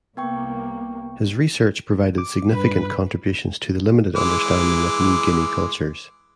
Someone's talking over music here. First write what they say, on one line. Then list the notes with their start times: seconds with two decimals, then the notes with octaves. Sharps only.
His research provided significant contributions to the limited understanding of New Guinea cultures.
0.17 C2 A#3 B3 G5 C#6
2.18 D6
2.52 G2 B4
4.16 E3 G#3 D6